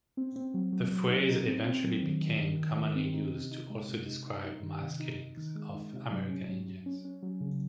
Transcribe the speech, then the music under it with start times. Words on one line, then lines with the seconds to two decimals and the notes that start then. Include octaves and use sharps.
The phrase eventually became commonly used to also describe mass killings of American Indians.
0.17 C4
0.36 C4
0.54 F#3
0.72 F#3
0.92 F#3
1.09 D#4
1.29 D#4
1.47 C4
1.65 C4
1.84 F#3
2.02 D#3
2.21 D#3
2.40 D#3
2.59 D#3
2.77 D#3
2.96 C4
3.14 D#4
3.32 C3
3.51 D#4
3.70 G#3
3.89 C3
4.06 D#4
4.26 D#4
4.45 D#4
4.63 D#3
4.81 C3
5.00 D#4
5.19 D#4
5.37 D#3
5.55 G#3
5.74 D#4
5.93 C3
6.11 F#3
6.30 C#4
6.49 F#3
6.66 F#3
6.86 C#4
7.05 C#4
7.23 F#3
7.41 C#3